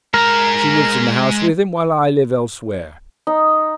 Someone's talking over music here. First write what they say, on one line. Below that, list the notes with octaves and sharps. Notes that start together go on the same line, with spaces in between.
She lives in the house with him, while I live elsewhere.
G#3 A#4 A#5
D#4